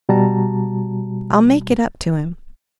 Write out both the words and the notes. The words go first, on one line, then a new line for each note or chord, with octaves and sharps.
I'll make it up to him.
B2 G3 F#4 A5 A#5